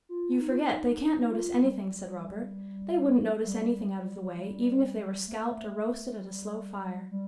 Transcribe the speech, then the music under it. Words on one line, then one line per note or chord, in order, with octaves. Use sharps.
'You forget - they can't notice anything,' said Robert. 'They wouldn't notice anything out of the way, even if they were scalped or roasted at a slow fire.'
F4
D#4
F4
D#4
D#4
D#4
F4
G3
G3
G3
A3
G3
G3